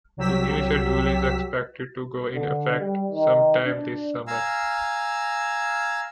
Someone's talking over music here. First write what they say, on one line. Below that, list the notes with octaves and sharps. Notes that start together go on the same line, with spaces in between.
The new schedule is expected to go in effect some time this summer.
C2 F#3 G4 E6 B6
D3
G3
D#3
D4
F5 G#5 A#5 E6